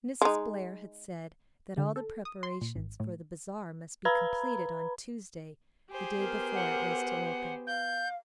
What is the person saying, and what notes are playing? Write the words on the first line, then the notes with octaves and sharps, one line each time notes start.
Mrs. Blair had said that all the preparations for the Bazaar must be completed on Tuesday, the day before it was to open.
G#3 D#4
D3
A4
D#6
C6
A#2
G#1
A2
B4 A#5 B5
G4 G#4 C5
B3 A#4
F#5
F5 G6